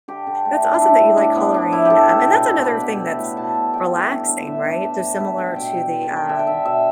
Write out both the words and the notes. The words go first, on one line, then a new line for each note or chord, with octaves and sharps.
that's awesome that you like coloring, um, and that's another thing that's relaxing, right? So, similar to the, um
D3 G4
D3
A3
A2
D4
G3 E4
A2
A2 D4
A2 B3
A2 D4
A2 E4
A2 G4 A4
A2
B2
B2
B2 B4
B2
A2
A2
B2 A5
B2
G3 G5
A2
D3
D3
A2 E5
A2 D4
G3 E5
A2
D3 E5
D3 G5
B2 E5 G5
B2
D3
A5
D3
G5
D3 E5
G5
D3 E5
B2 E5